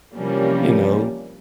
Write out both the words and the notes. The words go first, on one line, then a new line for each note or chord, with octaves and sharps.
you know,
C3 E3 F3 G3 A#3 C#4